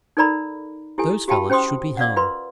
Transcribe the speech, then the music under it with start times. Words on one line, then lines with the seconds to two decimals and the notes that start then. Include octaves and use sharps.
Those fellows should be hung.
0.17 D#4 A4 A#4 D5 A#5 B5
0.98 E4 G4 A4 G#5
1.28 F#4 G4 F5 G5 A5 B5
1.50 C#4 C5 G5 C6 D#6
1.97 D5 F5 F#5
2.16 F4 A#4 B4 C6